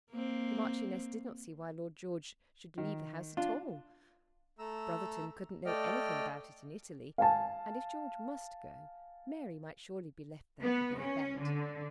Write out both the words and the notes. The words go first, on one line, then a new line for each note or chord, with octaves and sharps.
The Marchioness did not see why Lord George should leave the house at all. Brotherton couldn't know anything about it in Italy, and if George must go, Mary might surely be left there for the event.
A#3 C4
D#3
D4 F4
A3 A#5 E6
A3 D5 D#5 G5 F6
F5 G#5 A5
B3
C#4
D3